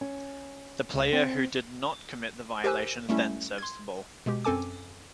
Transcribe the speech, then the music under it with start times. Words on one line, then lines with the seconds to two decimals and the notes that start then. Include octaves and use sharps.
The player who did not commit the violation then serves the ball.
0.01 C#4
0.94 C#2
1.13 C4
2.64 G4 A#4 C5 G#5 E6 F#6
3.09 G3 A3 C#4 E4
3.58 C6 G#6
4.26 B2 G#3 G4
4.45 F#2 C4 A4 G#5 D6